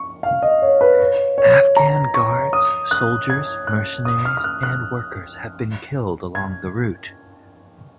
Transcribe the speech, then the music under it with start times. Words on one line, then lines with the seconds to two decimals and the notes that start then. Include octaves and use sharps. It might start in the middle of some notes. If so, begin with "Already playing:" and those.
Afghan guards, soldiers, mercenaries, and workers have been killed along the route.
Already playing: C#6
0.23 F5
0.42 D#5
0.62 C#5
0.81 B4
1.00 C#5
1.38 C#5
1.76 A#5
2.14 C#6
2.53 D#6
2.91 F#6
3.30 G#6
3.67 F#6
4.05 D#6
4.25 F6
4.37 F6
4.44 F#6
4.63 F#6
6.35 G#6